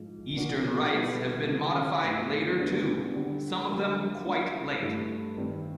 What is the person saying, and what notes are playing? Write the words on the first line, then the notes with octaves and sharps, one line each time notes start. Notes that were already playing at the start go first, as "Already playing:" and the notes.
Eastern rites have been modified later too; some of them quite late.
Already playing: G#2 F3 G#3
A#2 F3 A#3 D4 F#4
B2 G3 B3 E4 A4
D#3 G#3 C4 F4 G#4
G2 E3 A3
D3 G3 B3 D4
D3 G3 C4
D3 F#3 A#3
G3 A#3 D4
G2 E3 A3
G2 D#3 G3 C4